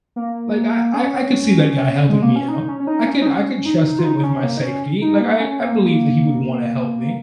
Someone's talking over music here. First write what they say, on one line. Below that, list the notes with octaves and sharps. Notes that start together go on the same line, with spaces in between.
Like I I I could see that guy helping me out, I could I could trust him with my safety, like I I believe that he would wanna help me,"
A#3
C#4
G#3
A#3
C#4
D#4
C#4
C#4
D#4
C#4
D#4
C#4
D#4
F4
D#4
D#4
C#4
A#3
D#4
C#4
D#4
A#3
C#4
A#3